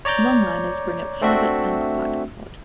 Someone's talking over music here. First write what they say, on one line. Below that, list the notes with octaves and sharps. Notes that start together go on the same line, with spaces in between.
Longliners bring up halibut and black cod.
C#5 D5 A#5 D6 G6
A3 C4 D4 F#4 E5